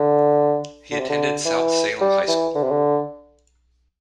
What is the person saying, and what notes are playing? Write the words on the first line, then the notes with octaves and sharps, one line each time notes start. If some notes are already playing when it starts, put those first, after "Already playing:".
He attended South Salem High School.
Already playing: D3
D3
C3
D3
E3
G3
E3
D3
C3
D3